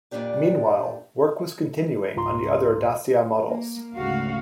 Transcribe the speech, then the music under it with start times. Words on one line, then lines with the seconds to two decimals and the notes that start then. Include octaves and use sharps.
Meanwhile, work was continuing on the other Dacia models.
0.11 F2 A#2 E3 D4 G4 D5
2.16 C#2 G#2 F4 A#5 C6
3.47 A#3
3.95 D2 G#2 C#3 F#4 F5